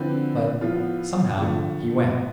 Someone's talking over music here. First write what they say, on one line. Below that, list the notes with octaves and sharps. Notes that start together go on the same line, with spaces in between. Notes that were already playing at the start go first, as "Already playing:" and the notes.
But, somehow, he went.
Already playing: D3 F3 C4 E4 B4
A2 F3 B3 F4
D3 F3 A3
B3